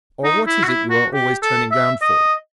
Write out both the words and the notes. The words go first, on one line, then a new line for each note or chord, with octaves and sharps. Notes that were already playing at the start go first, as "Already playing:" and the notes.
'Or what is it you are always turning round for?'
D#4
E4
F#4
E4
F#4
G4
A4
E5
D#5